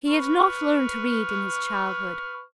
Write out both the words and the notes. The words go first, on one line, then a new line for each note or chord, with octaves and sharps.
He had not learned to read in his childhood.
B4 C#6 F6